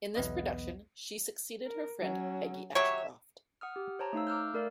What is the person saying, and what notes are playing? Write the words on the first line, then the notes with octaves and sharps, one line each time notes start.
In this production, she succeeded her friend Peggy Ashcroft.
B1 E2 B3 B4 D#5
A#4
F#3 C#4
F#3 G4 C#5 E5
F#5 D#6 F6
G4
C5 C#5 A5 A#5
A3 D#4 F5 E6
D6 E6 F6 G6
A3 A#4 D5 F5